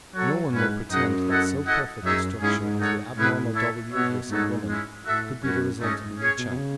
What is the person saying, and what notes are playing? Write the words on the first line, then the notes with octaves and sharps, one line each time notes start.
No one will pretend that so perfect a structure as the abnormal double uterus in woman could be the result of mere chance.
F#3 F#4 A4 C#5
G#2 C#4 E4 B4
F#2 D#4 G#4 D#5 F#5
E4 A4 D#5 F#5
E4 A4 D#5 F#5
F#2 D#4 G#4 C#5 E5
G#2 C#4 E4 G#4
G#2
D#4 A4 C#5 F#5
A2 C#4 E4 G#4 B4 F#5
E4 A4 C#5 E5
B2 B3 F#4 C#5 E5
G#2 A3 D#4 A4 C#5 F#5
G#3 C#4 E4
A2 F#4 A4 E5
F#2 C#4 F#4 B4
G#2 A3 C#4 G#4 D#5
G#2
C#4 G#4 C#5
B2
B2
C#3